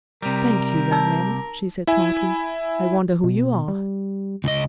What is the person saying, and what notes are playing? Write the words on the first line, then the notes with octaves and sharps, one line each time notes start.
"Thank you, young man," she said smartly; "I wonder who you are?"
C3 G3 A#4
D#4 D5 E6
E4 E5 G#5
B2
G3
C#2 D#5